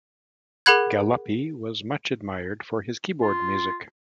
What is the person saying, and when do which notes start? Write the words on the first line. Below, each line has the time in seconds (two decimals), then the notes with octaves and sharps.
Galuppi was much admired for his keyboard music.
0.66 G#4 A#4 F#5 B5 F#6 G#6
3.22 F4